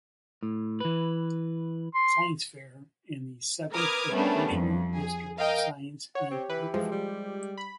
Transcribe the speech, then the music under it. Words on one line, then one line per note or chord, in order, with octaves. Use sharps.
Science Fair and the Seventh Educational District Science and Art Fair.
A2
E3 B4
C6
A#4 B4 D6 D#6 F6 G#6
G3 A3 B3 C#4 D4 A#4
F2
G#4
A#4 D#5 F5 G5
C#5 F#5
C4 G4
E3 B4
F3 G#3
G3
B5